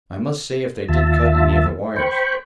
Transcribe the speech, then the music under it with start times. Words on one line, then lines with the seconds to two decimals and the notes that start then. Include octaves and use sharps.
"I must see if they did cut any of the wires."
0.88 D#2 F4 E5 A5
1.96 C5 G5 B5 C#6